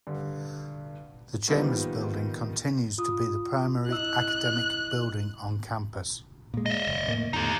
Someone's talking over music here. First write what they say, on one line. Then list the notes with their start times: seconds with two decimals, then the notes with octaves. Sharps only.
The Chambers Building continues to be the primary academic building on campus.
0.07 G2 D3
1.48 D#3 F3 G3 A#3 B3 D#4
2.98 F4 D#6
3.89 E4 D#5 E6 F#6
6.54 A#2 G#3
6.66 D#5 E5
6.87 F#1
7.07 F1 A2 A#3
7.33 E2 A2 D#4 G4